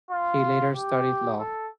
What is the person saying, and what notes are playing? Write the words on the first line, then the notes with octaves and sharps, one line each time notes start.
He later studied Law.
F4
G4
A4